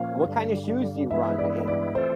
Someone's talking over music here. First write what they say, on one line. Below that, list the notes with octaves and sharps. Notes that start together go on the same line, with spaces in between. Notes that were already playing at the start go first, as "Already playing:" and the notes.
What kind of shoes do you run in?
Already playing: A#2 F3 A#3 C#4 F5
G2 D3 G3
G2 E3 G#3 B3 E4 E5
D5
D5
E3 A3 C4 F4 A4 C5